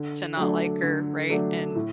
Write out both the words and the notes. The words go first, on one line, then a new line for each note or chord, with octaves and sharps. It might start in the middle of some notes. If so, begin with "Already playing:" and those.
to not like her, right, and
Already playing: D3
F#3 A3 D4
D3
F#3 A3 D4
A2